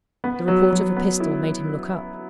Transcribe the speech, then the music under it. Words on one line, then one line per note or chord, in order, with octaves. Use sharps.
The report of a pistol made him look up.
B3
F#3
F#3
B3
E4